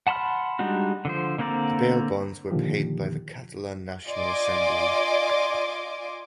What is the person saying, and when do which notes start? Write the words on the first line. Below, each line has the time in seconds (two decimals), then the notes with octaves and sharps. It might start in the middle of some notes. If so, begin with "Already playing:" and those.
The bail bonds were paid by the Catalan National Assembly.
0.07 F#5 A5 B5 C6 F6
0.59 G3 G#3 D4 D#4 F#4
1.05 D3 F3 C5
1.38 D3 A#3 C4 A#4 D5
2.51 A#2 D3 D#3 F3 G4
4.07 F4 D5 D#5 G#5 C6 D6